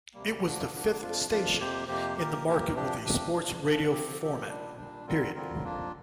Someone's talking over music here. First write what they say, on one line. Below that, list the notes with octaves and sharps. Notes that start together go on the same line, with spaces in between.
It was the fifth station in the market with a sports radio format.
D2 C3 G3 A#3
D3 F3 A#3 D4
D3 F3 A#3 D4
F2 F3 D4 F4
F2 F3 D4 F4
F2 C3 A#3 G4 C5
F2 C3 A#3 G4 C5
A#2 A#3 G4 A#4
A#2 A#3 G4 A#4
C3 F3 D4 G4
C3 F3 D4 G4
G2 F3 D4
G2 F3 D4
C3 F3 C4 G4
C3 F3 C4 G4
A#2 G3 D4
A#2 G3 D4
D3 G3 C4 F4 A#4
D3 G3 C4 F4 A#4
F2 F3 A#3 D4 F4